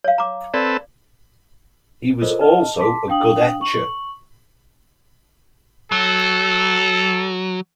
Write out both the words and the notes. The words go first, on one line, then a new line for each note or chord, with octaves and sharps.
He was also a good etcher.
C#5 F5
A#5 D6
C4 A4 B4 D5
F4 A4 A#4 C5 C#5 D#5
D#5 A5 F6
A5 C6 D6 B6
D4 F5 G5 D#6 F#7
C#6 F#7
F#3 A4